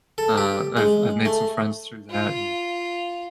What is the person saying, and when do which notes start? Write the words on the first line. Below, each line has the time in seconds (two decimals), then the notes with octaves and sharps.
Uh, I've I've made some friends through that and
0.18 A4
0.37 G4
0.77 G#3
1.26 A3
2.10 F4